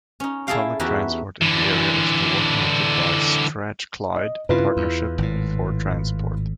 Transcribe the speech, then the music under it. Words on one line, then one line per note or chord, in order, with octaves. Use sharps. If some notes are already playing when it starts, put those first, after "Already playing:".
Public transport in the area is coordinated by Strathclyde Partnership for Transport.
C#4 D#4
E4 G#4 A4 D#5 F5 G5
E2 D#4 E4 F#4 G4 B4
D3 E3
D#5
G2 C#3 E4 F4 B4
E2
G#1 A2